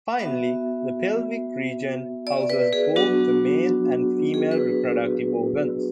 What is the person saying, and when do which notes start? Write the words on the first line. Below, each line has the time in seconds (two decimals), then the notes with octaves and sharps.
Finally, the pelvic region houses both the male and female reproductive organs.
0.19 B3 F#4 E5
2.27 D5
2.50 B4
2.73 G#4
2.96 F#3 B3 D4 F#4
4.34 G#4
4.51 B4